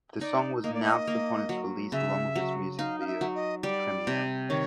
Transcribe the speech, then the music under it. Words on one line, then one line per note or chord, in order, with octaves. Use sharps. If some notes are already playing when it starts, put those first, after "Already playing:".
The song was announced upon its release along with its music video premiere.
D#4 D5
A#3 D#5
D5
D#5
A#3
F#3
C#3 E5
F#3
D#4 F5
F5
E5
F#3
D#5
G3 D5
C3
D#3 C#5